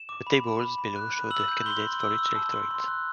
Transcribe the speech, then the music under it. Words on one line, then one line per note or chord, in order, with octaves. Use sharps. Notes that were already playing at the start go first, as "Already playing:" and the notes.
The tables below show the candidates for each electorate.
Already playing: E7
D6
B5
B5
B5
B5
F#6
B5
E6 F#7
G6
C6 G7
C6
E6
E6
A5
C6
C6
F#6